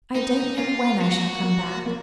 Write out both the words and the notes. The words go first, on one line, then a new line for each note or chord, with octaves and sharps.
"I don't know when I shall come back."
A#3 D#4
A#3 F4
A#3 F#4
A#3
A#3